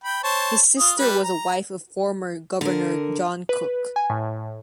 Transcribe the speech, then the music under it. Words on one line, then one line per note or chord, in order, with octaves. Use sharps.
His sister was the wife of former Governor John Cook.
G5 B5
C5 C#5 A5
F4 D#6
G3 B4
A#5
D3 A#4
B4
G#5
A2